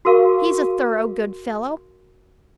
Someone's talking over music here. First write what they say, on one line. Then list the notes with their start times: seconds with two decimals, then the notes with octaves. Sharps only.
He's a thorough good fellow.
0.05 F#4 G#4 A#4 F5 C#6